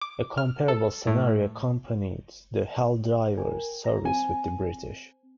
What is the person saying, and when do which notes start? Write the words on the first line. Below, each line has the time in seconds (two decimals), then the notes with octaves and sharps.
A comparable scenario accompanied the Helldiver's service with the British.
0.01 D6
0.37 F6
0.68 A4
1.07 A2
3.37 A#4 G5 G#5
3.84 A#5 A#6
4.05 C4 G#5